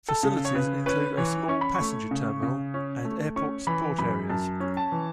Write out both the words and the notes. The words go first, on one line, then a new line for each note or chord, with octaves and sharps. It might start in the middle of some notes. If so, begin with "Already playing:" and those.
Facilities include a small passenger terminal and airport support areas.
A4
C#3
C#5
C#3 B4
C#4 B4
E3 C#5
C#4 C#6
B5
C#6
A3
C#3
C#3
C#4
A3
C#4 C#6
E3 B5
F#2 B5
F#2 A5
C#4
A5
E3